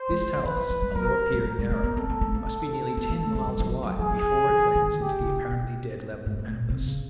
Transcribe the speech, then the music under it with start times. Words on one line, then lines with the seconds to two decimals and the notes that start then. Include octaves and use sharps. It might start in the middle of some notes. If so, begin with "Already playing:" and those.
This talus, although appearing narrow, must be nearly ten miles wide before it blends into the apparently dead level Pampas.
Already playing: C5
0.10 G#3
0.28 D#3
0.36 F3
0.44 E3 B4
0.57 F3
0.70 F3
0.82 G3
0.95 F#3 A#4
1.34 G#3
1.45 G3 A#4
1.59 G#3
1.72 A3
1.84 B3
1.96 C4 A4
2.10 B3
2.21 A3
2.35 A#3
2.97 B3
3.10 A#3
3.23 A3
3.35 G#3
3.48 G3
3.60 F3
3.65 F#3
3.83 F#3
3.98 F3 G#4
4.11 F#3
4.23 F3
4.50 E3
4.75 D#3
5.00 D3 G4
5.20 D3
5.25 C#3
5.52 B2
6.13 G2
6.26 G#2
6.39 A2
6.53 A#2
6.70 C3
6.86 C#3